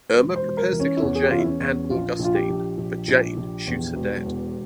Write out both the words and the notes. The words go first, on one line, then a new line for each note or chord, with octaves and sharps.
Irma prepares to kill Jane and Augustine, but Jane shoots her dead.
E1
C5
E1
A#4
E3
C#4
E4
E2 C#4
G#4
G4
E2 F4
E4
C#4
E2
A#1 F4
A#1
F4
G4
A#1
A#1
A#1
A#1
E2
E1
E2